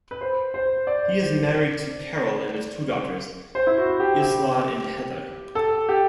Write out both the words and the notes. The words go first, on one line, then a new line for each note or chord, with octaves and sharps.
He is married to Carol and has two daughters, Isla and Heather.
B4
C5
C5
D5
C5
E4
F#4
G4
G4
A4
G4